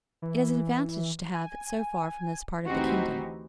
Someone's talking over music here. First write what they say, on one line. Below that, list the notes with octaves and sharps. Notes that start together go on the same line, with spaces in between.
It is an advantage to have it so far from this part of the kingdom.
E3
G#5
D2 E3 C4 D#4 F#4 G4